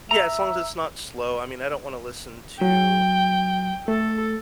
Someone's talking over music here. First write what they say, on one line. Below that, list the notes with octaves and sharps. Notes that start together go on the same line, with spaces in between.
Yeah, as long as it's not slow, I mean, I don't wanna listen to,
E5 A#5
F#3 G5
A3 A4